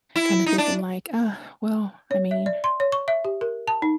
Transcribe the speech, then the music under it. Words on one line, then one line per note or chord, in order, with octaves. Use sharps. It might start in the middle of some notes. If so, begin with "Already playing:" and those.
kinda thinking like, "Uh, well," I mean,
E4
D#4
D4
C#5
E5
D5
C6
C#5
C#6
E5
G4
A#4
A5
D#4